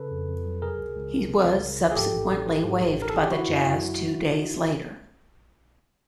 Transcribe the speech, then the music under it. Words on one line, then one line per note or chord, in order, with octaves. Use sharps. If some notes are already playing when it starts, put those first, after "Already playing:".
He was subsequently waived by the Jazz two days later.
Already playing: C#3 A4 B4
F2
F2
F#3
C3 G#4 A#4
C#2
C#2
F3
C3
C#2
C#2
F3
G#4
G#2 G4 A4
A1
A1
E3
G#2
A1
A1 A#4
A4
E3 G#4
G4
D3 E4 F#4
F#2
F#2
F#3
D3